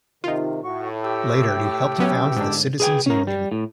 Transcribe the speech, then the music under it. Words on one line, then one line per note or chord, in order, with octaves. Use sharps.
Later he helped found the Citizens Union.
C3 D#3 D#4 F4
A2 F#4 C#6
G4 G5 E6
F#3 B3 C#4
A1 G#2 D3 D4
G#4 B4 D#5 G5 G#5
C#4 A#4
G3
A2